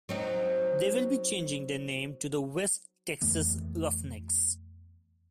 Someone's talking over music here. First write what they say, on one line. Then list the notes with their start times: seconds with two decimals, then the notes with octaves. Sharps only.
They will be changing their name to the West Texas Roughnecks.
0.09 F#3 C4 D#4
3.22 F2 E3 A3 B3